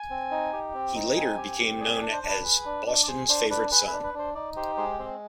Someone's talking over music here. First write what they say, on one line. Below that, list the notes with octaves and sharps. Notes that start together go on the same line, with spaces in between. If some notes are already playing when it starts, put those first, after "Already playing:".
He later became known as 'Boston's Favourite Son'.
Already playing: G#5
C4
D#4
G4
C4
D#4
C4 G#5
G4
C4
G#4 D5
D5
D4
C5
D4
B4
G#4
D4
D4
D5
G#4 C5
D4 C5
D4 B4
G#4 B4
B4
D4
B4
D4 C5
D#4 D5
G4 C5
G#3 C5
C4 C5